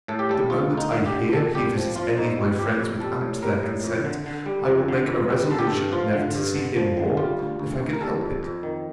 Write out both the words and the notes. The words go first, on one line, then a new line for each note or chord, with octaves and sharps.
'That the moment I hear he visits any of my friends without their consent, I will make a resolution never to see him more, if I can help it.'
A2 A4
G4
G3 A4
D2 F4
D2
D#4
D3
G4
D3
A#2 A4
C2 G4
F3
F3 F4
F2 D#4
G3
F2 G4
F2
G3 A4
A2
G3 A#4
A2
F2
D3
D3
G3
F2
D3
F2
G3
D3 A4
G4
A4
G2
F3 F4
D3
G2
D3
F3
D3
G3 F4
D2
D2
D2
A#4
G3 A4
F2
F2
D#3